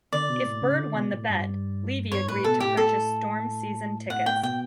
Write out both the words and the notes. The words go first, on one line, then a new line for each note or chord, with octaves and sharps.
If Bird won the bet, Levy agreed to purchase Storm season tickets.
D3 D5
B2
A2
C#3
D3
B2
A2
G2
G2 C#5
A2 B4
B2 A4
A2 G4
A4
A2 F#5
G5
B2 G5